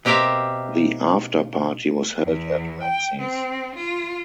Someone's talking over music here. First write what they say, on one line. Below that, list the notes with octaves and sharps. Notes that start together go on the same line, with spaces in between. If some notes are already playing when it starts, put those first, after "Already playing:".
The after party was held at Maxy's.
B2 C4 G4 A#4 E5 F5
E2
G5
C4
F4